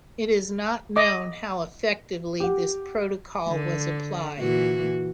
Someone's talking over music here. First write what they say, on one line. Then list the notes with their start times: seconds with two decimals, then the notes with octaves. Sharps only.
It is not known how effectively this protocol was applied.
0.96 D#5 D6
2.40 G4 F#5
3.48 D3
4.39 A#2 E3 F#4